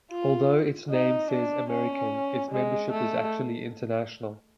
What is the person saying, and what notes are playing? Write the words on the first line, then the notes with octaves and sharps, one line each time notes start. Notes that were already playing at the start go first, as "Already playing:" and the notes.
Although its name says American, its membership is actually international.
F4
D#4
D4
C#4
G#3
A3